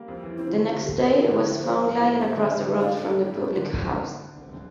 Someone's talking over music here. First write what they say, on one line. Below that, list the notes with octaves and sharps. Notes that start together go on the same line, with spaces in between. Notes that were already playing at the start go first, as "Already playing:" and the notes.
The next day it was found lying across the road from the public house.
Already playing: G3 A#3
F2
E3
C4 E4
F4
D3 E4
D3 F4
G4
A3
A4
C4 A#4
E4
D3
F3
A#3 C5
F4
A2
G3
C4 E5
D3
D3
A3
D4 F5
A2 A4
A2
G3
C4 E4
D3 F4